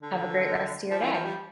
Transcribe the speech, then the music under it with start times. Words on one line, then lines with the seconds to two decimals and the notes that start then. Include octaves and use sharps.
have a great rest a your day.
0.03 D3
0.91 F3
1.01 E3
1.13 F3
1.25 G3